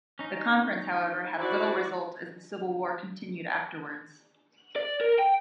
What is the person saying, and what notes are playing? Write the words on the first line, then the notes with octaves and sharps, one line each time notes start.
The conference, however, had little result as the civil war continued afterwards.
C#4 D#4
E4 F#4 C5 D5
D5
A#4
G5